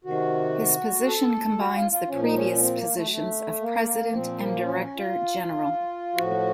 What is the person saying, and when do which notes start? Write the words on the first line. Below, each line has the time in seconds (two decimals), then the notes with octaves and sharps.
His position combines the previous positions of president and director general.
0.05 C3 D#3 F#4
1.07 A4
1.58 F#4
1.74 F4
1.91 F4
2.08 A#2 F3 C#4
2.22 D#4
2.35 C#4
2.59 C4
2.77 A#3
2.93 A3
3.05 F#3
3.10 A3
3.61 A#3
4.12 A#2 F3 C4
4.37 A#3
4.63 C#4
4.80 C#4
4.96 F4
6.15 A2 F3 F#4